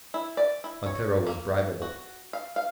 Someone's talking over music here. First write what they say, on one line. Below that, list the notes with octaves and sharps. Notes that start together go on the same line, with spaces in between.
Montero was bribeable.
E4
D5
E4
C#5
A#3
F#4
F5
F5